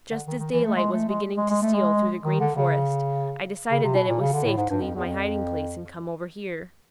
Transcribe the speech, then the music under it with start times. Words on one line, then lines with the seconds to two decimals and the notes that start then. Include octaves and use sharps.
Just as daylight was beginning to steal through the Green Forest, I decided that it was safe to leave my hiding place and come over here.
0.10 D3
0.27 D#3
0.39 D#3
0.51 E3
0.63 A3
0.76 G#3
0.92 A3
1.08 G#3
1.37 G#3
1.50 G#3
1.62 A3
1.74 G#3
2.24 D#3
2.40 D3
2.56 C#3
3.71 C#3
3.83 C3
3.95 B2
4.08 A#2
4.20 C#3
4.33 D3
4.44 A2
4.57 G#2
4.70 G2
4.81 F2
4.95 E2
5.06 F2